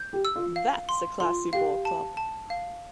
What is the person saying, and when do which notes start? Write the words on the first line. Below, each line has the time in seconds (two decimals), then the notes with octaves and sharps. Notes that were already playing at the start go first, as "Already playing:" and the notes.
That's a classy ballclub.
Already playing: G6
0.13 G4
0.25 E6
0.36 F4
0.56 F5
0.89 C6
1.20 F4 C6
1.53 G4 F5
1.85 A5
2.17 A5
2.50 F5